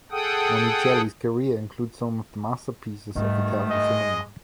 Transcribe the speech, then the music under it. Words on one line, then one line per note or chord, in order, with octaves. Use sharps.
Monicelli's career includes some of the masterpieces of Italian cinema.
G#4 A4 F#5 G5 D#6
G#2 B2 D#3 G3 A3
G#3 D#5